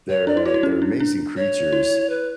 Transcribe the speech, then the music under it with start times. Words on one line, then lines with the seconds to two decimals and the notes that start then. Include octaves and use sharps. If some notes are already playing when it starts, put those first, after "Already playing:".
They're, uh, they're amazing creatures,
0.09 C#5
0.27 D4 D5
0.37 E4
0.46 F#4 C#5
0.54 E4
0.63 C#4
0.82 D4
1.00 D4
1.37 C#5
1.73 E4
2.09 B4